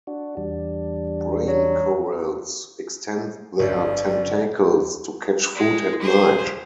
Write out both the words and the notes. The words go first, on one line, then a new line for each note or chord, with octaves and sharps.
Brain corals extend their tentacles to catch food at night.
D4 F#4
E2 G3 D4
F#3
G1 D5
G#3
G#4 C5